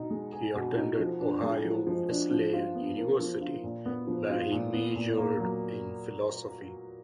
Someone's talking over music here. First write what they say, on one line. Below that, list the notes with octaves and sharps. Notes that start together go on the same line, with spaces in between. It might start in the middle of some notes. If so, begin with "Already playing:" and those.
He attended Ohio Wesleyan University, where he majored in philosophy.
Already playing: B2 D#4
G#3
G#4
B2
D#4
F3
D4
G#3
F3
F3
D4
F3
F4
B3
A#4
F3
F4
A#2
B3
F3
F4
A#2
B3
A#2
A#3
F#3